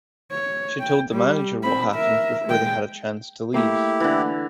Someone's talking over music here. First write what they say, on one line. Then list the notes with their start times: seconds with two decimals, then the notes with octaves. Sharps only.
She told the manager what happened before they had a chance to leave.
0.31 C#5
0.80 G5
1.12 G3
1.63 C4 B5
1.95 A#4 E5
2.46 G#3 G5
3.54 A3 A#3 E4 G4
4.00 D3 E3